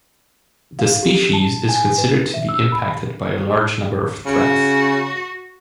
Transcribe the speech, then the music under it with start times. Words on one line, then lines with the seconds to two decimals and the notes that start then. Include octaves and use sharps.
The species is considered to be impacted by a large number of threats.
0.79 F5
1.03 G4
1.33 A5
1.69 G#5
1.98 B4
2.34 E5
2.49 E6
2.72 B5
4.26 C#3 F#4